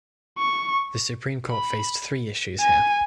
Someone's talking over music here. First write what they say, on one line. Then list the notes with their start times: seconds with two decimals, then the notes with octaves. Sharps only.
The Supreme Court faced three issues here.
0.39 C#6
1.50 B5
2.60 G#5